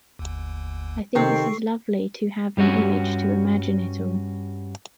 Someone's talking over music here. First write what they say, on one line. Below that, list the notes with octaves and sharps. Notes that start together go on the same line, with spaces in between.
I think this is lovely to have an image to imagine it all.
G1 D#2
C3 D#3 C4 A4 C#6 C7
G2 G3 C#4 F#4